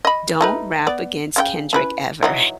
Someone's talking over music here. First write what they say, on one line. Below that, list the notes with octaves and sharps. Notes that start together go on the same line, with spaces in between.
Don't Rap Against Kendrick Ever.
D#5 B5
A3 D#4 B4
B3 D5
C#3 F4 G5
C#4 E4 B4
E3 F#3 D#4